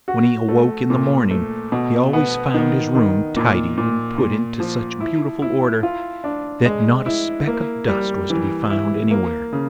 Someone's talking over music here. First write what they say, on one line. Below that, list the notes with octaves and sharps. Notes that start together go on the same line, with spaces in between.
When he awoke in the morning he always found his room tidied and put into such beautiful order that not a speck of dust was to be found anywhere.
F#4
A3
A#2
A3
B2
B3
D#3
D#3
A#2
A#2
A#2
F3
E4
E4
F4
D4
G#3
E4
A#3
G3
E3
E4
A#3
C#3